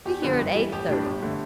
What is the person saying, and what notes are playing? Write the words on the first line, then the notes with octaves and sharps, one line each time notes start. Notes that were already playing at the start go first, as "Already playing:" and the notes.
Be here at eight-thirty.
E2 G4
D3 F3 B3
G2
E3 G3
A1 G4
A2 G3 D4
G1
D3 A3